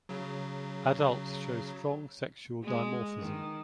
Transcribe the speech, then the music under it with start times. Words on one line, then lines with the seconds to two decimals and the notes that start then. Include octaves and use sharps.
Adults show strong sexual dimorphism.
0.09 C#3 F#3
2.63 G#3
3.19 D#3